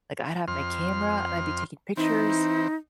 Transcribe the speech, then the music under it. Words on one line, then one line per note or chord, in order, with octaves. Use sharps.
Like, I'd have my camera, and I'd be taking pictures,
F2 C6 F6
E3 C4 D#4